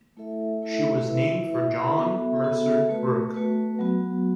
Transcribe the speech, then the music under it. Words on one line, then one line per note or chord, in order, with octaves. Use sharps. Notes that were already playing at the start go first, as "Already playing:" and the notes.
She was named for John Mercer Brooke.
A3 E4 A4 E5
A3 E4 A4 E5
E4 B4 E5
E4 B4 E5
B3 F#4 A4 E5
B3 F#4 A4 E5
A3 F#4 B4
A3 F#4 B4
F#3 B3 F#4